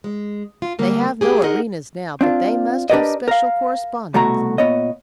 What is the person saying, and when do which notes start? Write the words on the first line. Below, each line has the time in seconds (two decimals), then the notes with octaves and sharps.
They have no arenas now, but they must have special correspondents.
0.04 G#3
0.62 F4
0.79 D3 G3 A#3
1.21 A3 D4 G4 G#4
1.43 D#4 G#4 A#4 D#5 F#5
2.21 C4 D4 F4
2.90 D4 G4 A#4 B4 D5 D#5
3.28 A#4 F5
4.14 C2 B2 A3 F#4 A#5
4.58 A#2 B3 C#5 D#5